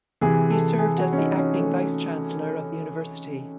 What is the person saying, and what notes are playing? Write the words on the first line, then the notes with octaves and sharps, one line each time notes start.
He served as the acting Vice Chancellor of the university.
C3 E3 G#4
A4
G#4
F#4
C#4
D#4
C#4
A3